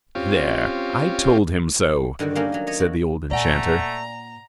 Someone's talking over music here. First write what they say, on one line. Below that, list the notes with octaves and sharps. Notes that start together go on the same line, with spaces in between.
"There, I told him so!" said the old enchanter.
C4 C#4 F4 G4
G2 D3 D#3 F#4
G3 A#3 C#4 D#4 F#4
F#3 D#5
C#5 D#5
F#4
A#2 A3 D5 F#5 G#5 A#5